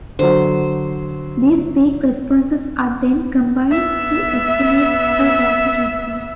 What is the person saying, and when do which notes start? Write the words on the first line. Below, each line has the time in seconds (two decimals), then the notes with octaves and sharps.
These peak responses are then combined to estimate a total response.
0.19 D3 F#3 C5
3.70 B3 E5